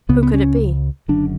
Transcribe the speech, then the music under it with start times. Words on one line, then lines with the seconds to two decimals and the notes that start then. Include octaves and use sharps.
Who could it be?
0.09 C#2 C#3 B3
0.23 B3
0.34 C#4
1.08 F#1 F#2 D3 D4